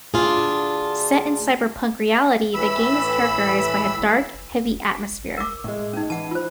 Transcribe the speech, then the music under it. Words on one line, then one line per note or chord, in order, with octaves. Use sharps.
Set in a cyberpunk reality, the game is characterized by a dark, heavy atmosphere.
D2 D4 F4 G#4
A2 E3 B5 E6
A#4 D6
A2 G#3
C#4 D#4
E3 F#5 A5
F4 C5